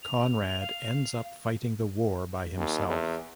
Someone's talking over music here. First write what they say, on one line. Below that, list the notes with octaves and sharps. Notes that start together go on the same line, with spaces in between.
Conrad ends up fighting the war by himself.
F7
F5
D#2
E2